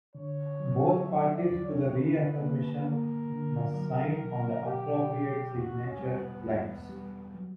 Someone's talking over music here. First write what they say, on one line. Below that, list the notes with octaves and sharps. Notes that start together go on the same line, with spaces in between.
Both parties to the reaffirmation must sign on the appropriate signature lines.
D3 C#5
F#3
F#3 E5
D5
E2
C#5
D3 B4
A#3
A#3 A#4
D3
F#3
B2
B2 G4
B2
E2 F#4
C#4
G3
B3
E2
G3
F#3